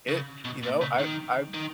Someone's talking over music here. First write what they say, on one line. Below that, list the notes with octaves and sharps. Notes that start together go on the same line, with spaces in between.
it you know, I I,
C#3
B2
A#2
C#3
D#3
D#3